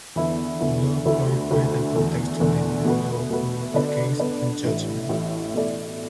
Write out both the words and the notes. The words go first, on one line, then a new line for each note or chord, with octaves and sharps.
Loh clarified and contextualized the law throughout the case and judgement.
E2 D3 B3 E4
E2 D3 B3 E4
D2 D3 A3 E4
D2 D3 A3 E4
E2 D3 A3
E2 D3 A3
B2 A3 F#4 B4
B2 A3 F#4 B4
D3 B3 D4 B4
D3 B3 D4 B4
A1 A2 A3 E4
A1 A2 A3 E4
B2 A3 E4 A4 D5